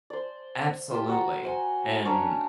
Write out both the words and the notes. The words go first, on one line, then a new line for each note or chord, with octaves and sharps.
absolutely, and
C5 D5
F4 G4
F#4 A#4 F#5
C5 F#5 G#5
C#4 D4 A#4 C#5